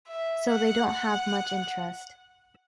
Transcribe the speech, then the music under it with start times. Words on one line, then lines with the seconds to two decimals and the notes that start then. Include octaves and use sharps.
So they don’t have much interest.
0.09 E5
0.49 F#5
0.89 F#5